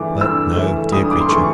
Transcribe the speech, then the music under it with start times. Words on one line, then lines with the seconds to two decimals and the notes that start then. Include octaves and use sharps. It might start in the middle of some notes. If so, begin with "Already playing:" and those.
But no, dear creature!
Already playing: G2 E3 A3 D6
0.21 G2 E6
0.56 E3 A3
0.92 G2 D#6
1.11 D6
1.21 C6
1.29 E3 A3 C#6